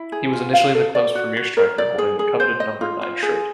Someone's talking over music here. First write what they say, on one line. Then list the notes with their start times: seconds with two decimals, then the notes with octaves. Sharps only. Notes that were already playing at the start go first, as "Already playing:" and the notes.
He was initially the club's premier striker, holding the coveted number nine shirt.
Already playing: E4
0.12 G#4
0.33 F4
0.53 F5
0.74 A4
0.95 D5
1.15 F#4
1.37 F#4
1.57 A#4
1.78 D5
1.98 G#4
2.19 G#4
2.40 C5
2.60 D#5
2.81 F4
3.02 F4
3.23 G#4